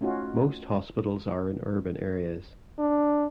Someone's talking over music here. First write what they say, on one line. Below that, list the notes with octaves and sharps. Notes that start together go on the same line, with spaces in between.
Most hospitals are in urban areas.
A3 C#4 D#4 F4 F#4
D4